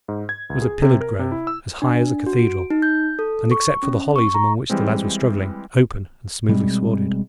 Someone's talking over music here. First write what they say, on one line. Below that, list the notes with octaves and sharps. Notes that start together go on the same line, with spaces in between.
It was a pillared grove, as high as a cathedral, and except for the hollies among which the lads were struggling, open and smoothly swarded.
G#2
G#6
C#2
G#4
C3
A#4
C3
E4
E6
D4
F#4
D7
D#4
G6
A4
C#6
C#4
C#6
A#5
E3 G3 G#3 C4
B2 G3 G#3 C4